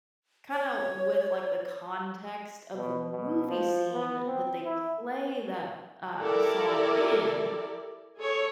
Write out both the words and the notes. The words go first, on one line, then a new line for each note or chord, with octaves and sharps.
kinda with, like, the context of the movie scene that they play that, uh, song in,
C#5
B2
B2
F3
B3
C4
E4
E4 G4 A4 A#4 D5
G#4 A4 C#5